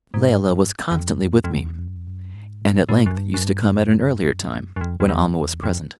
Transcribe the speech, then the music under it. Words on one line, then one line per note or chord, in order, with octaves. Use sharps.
Layelah was constantly with me, and at length used to come at an earlier time, when Almah was present.
G#2
G2
E2
F2
F2
E2
F2
F#2
F2
F#2
G#2
A2
A2
F#2
G2
F#2
G2
F#2
F#2
F2
F2
E2
F2
E2
F2